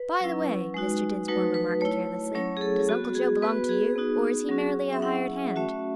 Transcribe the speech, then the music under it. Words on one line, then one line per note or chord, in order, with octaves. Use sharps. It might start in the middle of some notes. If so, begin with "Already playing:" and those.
"By the way," Mr. Dinsmore remarked carelessly, "does Uncle Joe belong to you? or is he merely a hired hand?"
Already playing: B4
F#3 C#4 E4
G#3 D#4 F#4
F#3 A3 D#4 F#4 B4
B4
A3 E4 C#5
F#3 A3 C#4 E4 C#5
G#4
A4
B3 F#4
F#4
G#4
B3 F#4 B4
G#4
B3 D#4 F#4
F#3 C#4 F#4
E5
F#3 C#4 E4 F#5
A3 C#4 F#4 E5